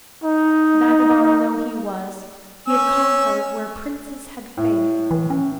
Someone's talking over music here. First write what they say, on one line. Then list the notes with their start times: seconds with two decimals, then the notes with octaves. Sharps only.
Vagabond though he was, he had conquered where princes had failed.
0.23 D#4
2.67 C#4 G#5 E6
4.57 A2
5.11 E3
5.30 C#4